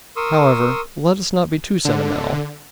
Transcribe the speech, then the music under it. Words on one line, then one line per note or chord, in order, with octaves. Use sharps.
However, let us not be too sentimental.
A#4 C6 C#6 D#6 E6
D3